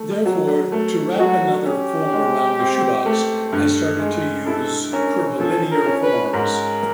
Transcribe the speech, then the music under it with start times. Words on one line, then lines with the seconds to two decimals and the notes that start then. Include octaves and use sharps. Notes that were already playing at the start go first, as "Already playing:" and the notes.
Therefore, to wrap another form around the shoebox, I started to use curvilinear forms...
Already playing: A3
0.26 F#3
0.72 A3
1.19 F#3 F#4
1.66 C#4 G4
2.13 G#3
2.59 C4
3.06 A3
3.53 G2
3.99 G#3
4.46 E4 A4
4.93 C#4 A#4
5.40 F3 A4
5.71 A#4
5.86 C#4
6.03 B4
6.33 G#2 A#4